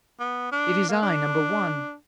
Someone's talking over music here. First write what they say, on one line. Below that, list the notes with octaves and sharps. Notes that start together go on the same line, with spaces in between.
It is I, Number One.
B3
D4
A#3
D4